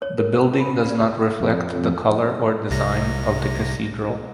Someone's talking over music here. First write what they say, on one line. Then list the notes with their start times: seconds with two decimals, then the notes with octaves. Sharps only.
The building does not reflect the color or design of the Cathedral.
0.02 C#5
0.18 A#4
0.34 C5
0.60 B5
0.89 D5
1.40 F2
2.70 C2 C3 A#6